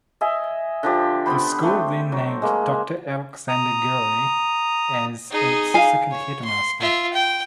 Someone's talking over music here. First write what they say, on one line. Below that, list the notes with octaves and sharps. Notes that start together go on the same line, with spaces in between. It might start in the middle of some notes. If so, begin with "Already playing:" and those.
The school then named Doctor Alexander Guerry as its second headmaster.
D#5 E5 G#5
D3 F3 G4
B3 C5 B5
A3 C4
F#3
G#3 A#3
A#5 D#6
D#4 G#4
F5 G#5
C#5
C6
F4 E5
G5